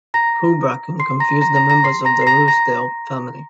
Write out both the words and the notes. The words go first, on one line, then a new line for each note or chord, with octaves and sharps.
Houbraken confused the members of the Ruysdael family.
A#5 A#6
C6 C7
A#5 A#6
A#5 A#6
A#5 A#6
A#5 A#6
C6 C7
A#5 A#6
C7
A#5 A#6
A#5 A#6